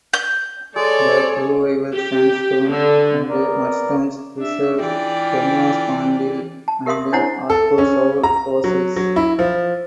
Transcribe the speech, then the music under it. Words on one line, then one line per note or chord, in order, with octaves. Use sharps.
The fluvial sandstones and mudstones preserve temnospondyl and archosaur fossils.
G6
G#3 A4 C#5 D5
G4
D3
B3 A#4 D5
D4 E5
E3 F4 D5 G5
A5
G4 A#4 E5 F5 C6 D#6
D4 E4 C5 C#5 F#5 A#5
A4
C#4
A#5
F#3
F#3
E4
F3